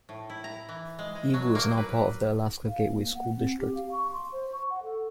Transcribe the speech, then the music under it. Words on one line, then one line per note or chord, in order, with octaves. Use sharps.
Eagle is now part of the Alaska Gateway School District.
A2
E4
A#5
E3
G#3
G#3
F#3
A#3
B4
F5
A#3
F#5
C4
G4
F5
C#6
C6
C5
C#6
F#5
A4